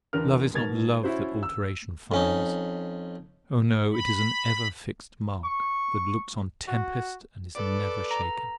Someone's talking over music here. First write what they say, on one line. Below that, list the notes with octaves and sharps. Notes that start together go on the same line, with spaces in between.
"Love is not love that alteration finds: Oh no! it is an ever-fixed mark, That looks on tempests and is never shaken."
E2 D3 A#4 F6
G#2 B2 A#4 G#6 A6 F7
C#4 E4 F#4 C5
E6
F2 C#4 D#4
B5
C#6
F#4
A4 B4 D5
A#5